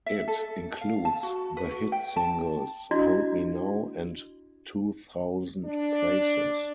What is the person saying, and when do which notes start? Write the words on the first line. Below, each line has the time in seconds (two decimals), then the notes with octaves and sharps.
It includes the hit singles "Hold Me Now" and "Two Thousand Places".
0.06 E5
0.28 A4
0.81 F5
1.05 A5
1.23 F#4
1.57 B4
1.71 F#4
1.92 G5
2.16 A5
2.91 D4 E4 F#4 D#5
5.65 D4